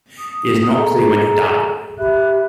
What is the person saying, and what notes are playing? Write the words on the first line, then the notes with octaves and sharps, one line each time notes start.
It is not clear when he died.
D#6
G#4 A4 A#5
G4 E5 B5 F#6